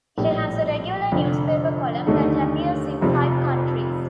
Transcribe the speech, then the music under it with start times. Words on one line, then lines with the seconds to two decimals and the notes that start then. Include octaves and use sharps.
He has a regular newspaper column that appears in five countries.
0.18 A#1 A2 G3
1.12 F1 F2 D3
2.07 D#2 D3 A3 D#4 A4
3.01 F1 F2 C3 F3